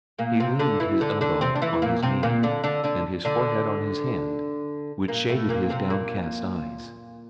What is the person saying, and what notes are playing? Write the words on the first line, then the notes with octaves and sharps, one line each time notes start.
He leaned his elbow on his knee, and his forehead on his hand, which shaded his downcast eyes.
A#2 A#3
C3 C4
D3 D4
E3 E4
D3 D4
D3 D4
C3 C4
D4
E3 E4
A#2 A#3
C3 C4
A#2 A#3
D3 D4
D3 D4
D3 D4
D3 D4
A#2 A#3
A2 A3
A#2 A#3
C3 C4
A#2 A#3